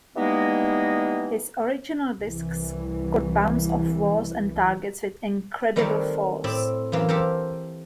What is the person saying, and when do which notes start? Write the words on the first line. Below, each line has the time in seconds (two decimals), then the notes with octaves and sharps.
His original discs could bounce off walls and targets with incredible force.
0.16 E3 G3 G#3 A#3 B3 D#4
2.19 C2 E3
5.76 D#3 G3 A3 C4 A#4 C#5
6.44 A2 C4 D5 E5
6.92 F#2 E3 A#3 F5
7.09 G4 A4 A#4 C5